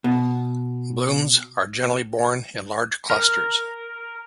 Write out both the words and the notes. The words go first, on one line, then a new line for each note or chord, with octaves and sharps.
Blooms are generally borne in large clusters.
B2
A#4